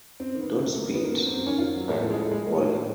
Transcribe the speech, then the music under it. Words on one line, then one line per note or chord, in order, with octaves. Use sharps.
Don't Spit and Holler!
F#2 C4
D#3
B3
F#2
F#3 A3
A3
F#2
A#3
D#3 B3
F#2 A#3
F#3
C4
F#2
D#3 C#4
F4
F#2
F#3
A2 A#3
A3
F3
G#3
A2 A3
G#3
A2 A#3
A3
F3
A2 A#3